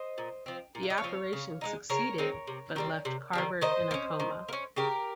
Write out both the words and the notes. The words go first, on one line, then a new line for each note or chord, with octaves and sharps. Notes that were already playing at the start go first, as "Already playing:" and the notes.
The operation succeeded, but left Carver in a coma.
Already playing: C5 D#5
A#2
F3 C4
A#2
F5
D#5
C#5 F5
F3 C4
C#3
G#3 C4 D#4
C#3 A#4 C#5
G#3 C4 D#4
C3
D#3 G3 C4
C3
D#3 G3 C4
D#3 C5 D#5
A#3
C#4
D#3
A#3
C#4
C#3 G4 A#4